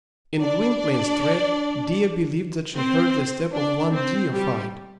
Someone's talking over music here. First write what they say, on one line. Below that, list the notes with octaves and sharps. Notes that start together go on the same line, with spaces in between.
In Gwynplaine's tread Dea believed that she heard the step of one deified.
D4 D5
C4 C5
D4 D5
C4 C5
G3 G4